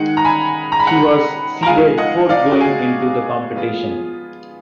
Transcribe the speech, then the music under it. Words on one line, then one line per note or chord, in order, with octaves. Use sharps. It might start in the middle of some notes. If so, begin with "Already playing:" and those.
She was seeded fourth going into the competition.
Already playing: D#3 G#3 D#4 F#5
A#5
G#5 B5
A#5
B5
F#5 A#5
A#5
F3 G#3 D#4 F5 G#5
D#5 F#5
D5 F5
F#4
G#4
F3 B3 F4